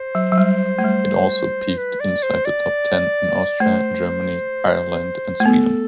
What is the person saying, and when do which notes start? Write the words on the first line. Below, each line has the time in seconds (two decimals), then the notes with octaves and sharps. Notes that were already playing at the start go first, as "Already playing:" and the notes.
It also peaked inside the top ten in Austria, Germany, Ireland, and Sweden.
Already playing: C5
0.15 F#3
0.32 F#3
0.38 G3
0.79 A3
0.85 G3
1.77 B4
2.00 D5
2.23 C5
2.45 D5
3.60 A3 C5
5.40 A3
5.46 B3 A4